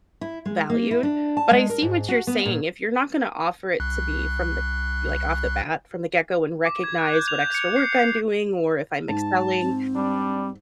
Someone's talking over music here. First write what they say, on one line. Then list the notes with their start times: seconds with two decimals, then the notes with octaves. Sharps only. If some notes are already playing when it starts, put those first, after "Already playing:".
valued, but I see what you're saying, if you're not gonna offer it to me from the y like, off the bat, from the get go and recognize what extra work I'm doing, or if I'm excelling;
0.21 E4
0.46 G#3
0.70 A#3
0.91 E4
1.03 D4
1.37 A5
1.51 G#3
1.70 A#4
1.82 G#2
2.09 F#4
2.27 B3
2.45 A#2
3.80 C2 F#6
6.65 D6
6.84 G#6
6.98 F#6
7.14 G6
7.28 F7
7.40 G6
7.55 C#7
7.76 C7
7.93 C7
9.09 G#2 A5
9.62 C4
9.95 G3 D4